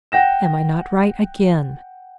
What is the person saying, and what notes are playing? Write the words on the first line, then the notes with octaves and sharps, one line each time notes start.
Am I not right again?
F#5 G5 A#6 E7